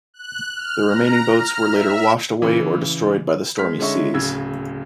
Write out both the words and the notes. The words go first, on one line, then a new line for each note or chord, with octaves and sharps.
The remaining boats were later washed away or destroyed by the stormy seas.
F#6
F6
A#5
F6
E5
C#3 E3
G#3 F6 B6
D3 G#3 C#4 D#4 E5 C#6
D1 C#3 E6 G#6